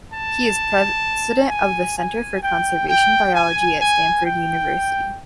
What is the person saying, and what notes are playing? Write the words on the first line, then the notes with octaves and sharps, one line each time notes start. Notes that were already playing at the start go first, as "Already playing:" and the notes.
He is president of the Center for Conservation Biology at Stanford University.
A5
G#5
G#5
G5
G5
G#5
G#5
G5